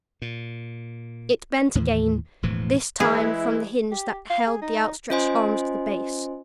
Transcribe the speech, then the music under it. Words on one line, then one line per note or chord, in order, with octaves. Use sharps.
It bent again, this time from the hinge that held the outstretched arms to the base.
A#2
D#2 A2 E3
E1 A2 E3 F3
E3 G#3 E4 G#4
G4
F5
G#4
D#4
C#4 F4 C5 D#5 G#5 C6